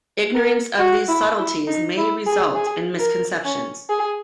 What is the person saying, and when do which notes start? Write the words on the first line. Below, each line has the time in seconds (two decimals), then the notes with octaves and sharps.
Ignorance of these subtleties may result in misconceptions.
0.35 A#4
0.79 F#4
1.08 E4
1.39 E4
1.67 D#4
1.97 E4
2.27 G#4
2.56 G#4
3.00 A#4
3.45 C#4
3.89 G#4